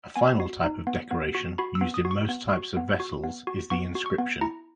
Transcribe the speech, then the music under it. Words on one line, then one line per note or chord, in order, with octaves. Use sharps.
A final type of decoration, used in most types of vessels, is the inscription.
B3 G#5
F#4
D#4
B3
B3
F#4
F#4 B5
E6
B3
D#6
F#4
C#6
B3
F#4
B3
F#4
B3
F#4
B3 C#6
F#4
C#6
B3
E4 A#5